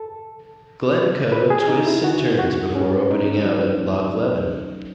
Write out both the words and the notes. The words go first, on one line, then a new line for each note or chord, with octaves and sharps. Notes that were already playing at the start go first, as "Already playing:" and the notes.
Glen Coe twists and turns before opening out at Loch Leven.
Already playing: A4
B4
G#4
D#4
E4
F#4
F#4
C#4
D#4
F#3